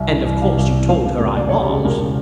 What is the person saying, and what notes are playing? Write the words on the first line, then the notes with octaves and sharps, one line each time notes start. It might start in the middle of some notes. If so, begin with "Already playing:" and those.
"And of course you told her I was."
Already playing: C2 E5
E3
C2
C3 F5
C2
E3
E1 F5
C#3
E1
D2 D5
C#5
E1
G4
C#3 G#4
E1 A#4
C#3